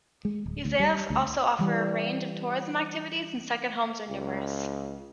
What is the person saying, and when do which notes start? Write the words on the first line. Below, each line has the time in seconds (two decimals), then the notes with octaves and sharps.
Yzeures also offers a range of tourism activities and second homes are numerous.
0.25 G#3
0.46 D1
0.65 D2
0.80 G3
1.10 D2
1.59 E3 G3
4.09 C#2